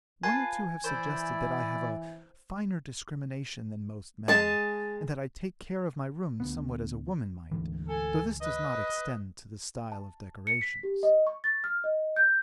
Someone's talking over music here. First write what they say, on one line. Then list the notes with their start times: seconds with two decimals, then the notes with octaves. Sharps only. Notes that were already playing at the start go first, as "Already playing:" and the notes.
One or two have suggested that I have a finer discrimination than most men, and that I take care of my rooms somewhat as a woman might, though this does not extend to the style of decorations.
0.23 F4 B4 G#5 A5
0.84 E3 E4 C5 D5
4.28 G#3 G#5 A5
6.40 D2 B3
7.51 D2 G#2 E3
7.88 A4 G#5
8.41 B4 D#5
9.92 A5
10.47 C#7
10.61 B6
10.83 G4
11.03 D#5
11.27 C#6
11.44 A6
11.64 F6
11.84 D#5
12.16 G6